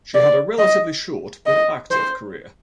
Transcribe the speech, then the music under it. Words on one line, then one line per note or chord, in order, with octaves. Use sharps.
She had a relatively short, but active, career.
D5
D#5
D#5
C5